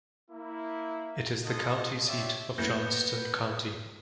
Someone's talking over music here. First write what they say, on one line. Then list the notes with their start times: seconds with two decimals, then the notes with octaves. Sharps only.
It is the county seat of Johnston County.
0.31 A#3 E4
1.45 D#4 F4 A4 D#5
2.07 D4 F4 G4 C#5 D5 E5
2.58 F#2 A2 A#3 B3 G6 A#6